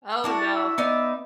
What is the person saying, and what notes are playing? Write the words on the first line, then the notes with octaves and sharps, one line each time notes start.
Oh no.
D4 E4 F#4
A5
E5
B3 D#4 D5